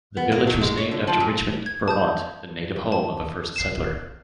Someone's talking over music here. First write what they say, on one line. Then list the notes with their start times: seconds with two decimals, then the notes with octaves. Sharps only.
The village was named after Richmond, Vermont, the native home of a first settler.
0.17 B3
0.32 A#3
0.47 F#3
0.61 G#3
0.77 C#5
0.91 D3
1.07 F3
1.20 A#2
1.66 G#6
1.88 A5 D#6 G6
2.92 A5
3.56 C7 E7